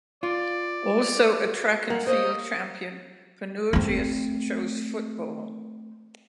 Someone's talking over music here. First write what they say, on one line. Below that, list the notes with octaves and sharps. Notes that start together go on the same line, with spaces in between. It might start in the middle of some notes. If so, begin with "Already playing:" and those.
Also a track and field champion, Panourgias chose football.
F4 D5
F#4
A#3 F#5
C5 C#5 D#5 F5
A3 C4